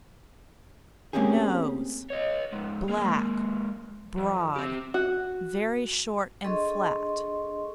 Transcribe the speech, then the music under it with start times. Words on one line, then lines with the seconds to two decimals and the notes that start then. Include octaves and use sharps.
NOSE--Black, broad, very short and flat.
1.13 A3 A#3 C4 C#4 G4 G#4
2.10 C#5 D#5
2.53 C#2 G#2
2.89 G#3 A#3
4.18 F2
4.56 C4 G4
4.94 F#4
6.44 D4 G#4 A4 D#5 C6 C#6